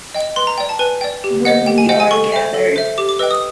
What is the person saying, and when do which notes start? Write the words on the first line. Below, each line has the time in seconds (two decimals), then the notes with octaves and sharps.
When We Are Gathered.
0.15 D#5 G5
0.36 B4 C6
0.47 A#5
0.58 D5 G5
0.69 A5
0.79 B4 G#5
1.01 D5 G5
1.24 G4
1.45 C5 D#5 F#5
1.66 G4 G5
1.78 G#5
1.89 C5 D#5 F#5 G5
2.00 G#5
2.11 A4 C#6
2.32 C5 E5
2.54 A4
2.76 C5 E5
2.98 G4 D6
3.09 D6
3.19 B4 D#5 G5 E6
3.31 D#6